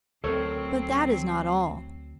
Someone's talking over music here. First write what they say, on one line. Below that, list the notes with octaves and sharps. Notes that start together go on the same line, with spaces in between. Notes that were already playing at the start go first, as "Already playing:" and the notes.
But that is not all.
D2 F#3 C4 A4 A#4 C#5